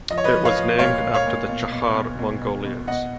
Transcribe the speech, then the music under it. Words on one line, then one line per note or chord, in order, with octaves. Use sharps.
It was named after the Chahar Mongolians.
F3 D#5
C#5
B4 D#5
F3
C#5 F5
F3
A#2 C#5 F5
A#2
C#5 F5
A#2
B2
B2
B2
B2
B2
B2
B2 D#5 F#5